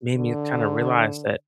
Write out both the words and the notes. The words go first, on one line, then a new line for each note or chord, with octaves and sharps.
made me kinda realize that
D3